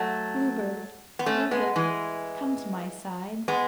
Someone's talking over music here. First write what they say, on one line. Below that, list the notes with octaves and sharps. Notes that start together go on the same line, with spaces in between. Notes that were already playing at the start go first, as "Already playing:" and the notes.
"Blue Bird, Blue Bird, Come to my side."
Already playing: F#3 A3
B3
A3 C#4
G#3 B3
E3 G#3
G#3 B3